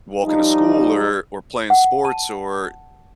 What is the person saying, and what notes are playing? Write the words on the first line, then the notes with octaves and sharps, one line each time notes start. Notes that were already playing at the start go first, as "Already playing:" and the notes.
walking to school or or playing sports or
F3 G3 D#4
F#5
A5